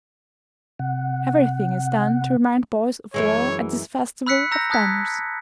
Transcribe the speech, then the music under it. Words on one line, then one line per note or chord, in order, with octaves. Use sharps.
Everything is done to remind boys of war at this Festival of Banners.
C3 F#5
F#2 E3 G#3 C#5
B5 E6 F#6 B6 C#7
A#5 E6 G6 A#6
A5 D#6 F#6 G#6 B6